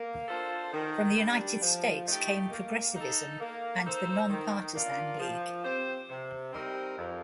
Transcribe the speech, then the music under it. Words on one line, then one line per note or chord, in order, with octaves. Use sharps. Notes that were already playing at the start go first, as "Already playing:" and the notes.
From the United States came Progressivism and the Non-Partisan League.
Already playing: A#3
D4 F4 A4 C5
D#3
G3 D4
F3
A3 D#4 G4
A#3
D#4 A4
A#3
D#4 A4 C5
D#3
A#3 D4 F4 A#4
F3
C4 G4 C5
C3
G3 C4 D#4 A#4
F2